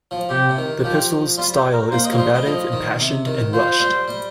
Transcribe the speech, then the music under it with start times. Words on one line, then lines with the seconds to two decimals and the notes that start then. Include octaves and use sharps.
The epistle's style is combative, impassioned, and rushed.
0.11 F3
0.29 C3 G4
0.49 C3
0.57 D#3
0.83 F3 G4
1.38 G3 F4
1.55 G4
1.73 A#4
1.91 A#3 C5
2.05 D#5
2.11 F3
2.18 G3 C5
2.32 G3 D#5
2.46 F3
2.72 D#3
2.99 C3
3.26 D#3
3.53 F3 C5
3.80 G3
4.08 G3